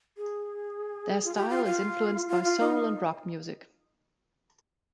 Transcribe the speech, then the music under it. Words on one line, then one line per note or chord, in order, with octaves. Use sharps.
Their style is influenced by soul and rock music.
G#4
F4
G4
F4
F4
F4
F4
D#4